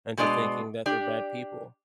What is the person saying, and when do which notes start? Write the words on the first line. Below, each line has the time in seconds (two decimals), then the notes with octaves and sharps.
into thinking that they're bad people.
0.17 B2 G#3 D4 D5 D#5
0.86 D4 G4 D5